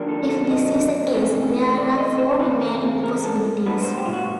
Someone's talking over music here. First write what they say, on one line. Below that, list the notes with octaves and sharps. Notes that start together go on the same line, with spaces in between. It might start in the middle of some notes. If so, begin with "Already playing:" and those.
If this is the case, there are four remaining possibilities.
Already playing: D#3 F#3 A#3 D4
A4
A4
D#5
C3 E3 A3 C#4
D5
D#5
C5
C#3 E3 A3 C4 B4
A#4
G#4
A#4
A4
A2 F#3 B3 D4 B4
C5
G4
F4
F#4